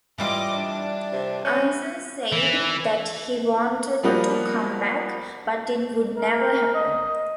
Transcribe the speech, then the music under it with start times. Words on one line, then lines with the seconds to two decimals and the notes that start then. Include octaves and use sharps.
Unser said that he wanted to come back, but it would never happen.
0.18 E3 G3 F4 D#5 D6
0.55 D4
1.13 C3
1.45 C#4
2.32 E3
4.03 F3 G3 A#3 B3 F4 F#4
6.18 A#4
6.75 D#5